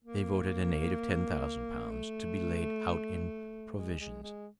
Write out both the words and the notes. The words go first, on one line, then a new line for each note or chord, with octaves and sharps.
They voted an aid of ten thousand pounds, to be laid out in provisions.
A#3
A3
G#3
G#3
G#3